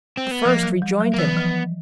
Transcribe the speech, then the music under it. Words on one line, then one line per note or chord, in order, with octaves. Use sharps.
The first rejoined him.
C4
B3
F3 A#3
F#3
G3
F#3
A#3
E3 B3
F3